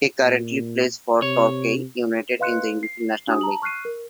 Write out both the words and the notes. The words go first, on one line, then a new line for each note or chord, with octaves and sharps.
He currently plays for Torquay United in the National League.
A#2
C3 C#5
B4 D#5 F5 C6 F#6 C#7
C7
D4 F#4 G#5 D#6
A5 A#5 F#7
C#6 F6 F#6 C7 D#7
A#4